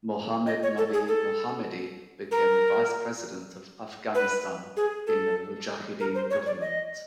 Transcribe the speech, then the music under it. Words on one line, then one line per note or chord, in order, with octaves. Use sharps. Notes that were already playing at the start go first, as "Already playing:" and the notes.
Mohammad Nabi Mohammadi became the Vice President of Afghanistan in the Mujahideen government.
D#5
C#5
A4
G#4
A4
A#4
B4
G#4
A4
A#4
C5
C#5
D5
D#5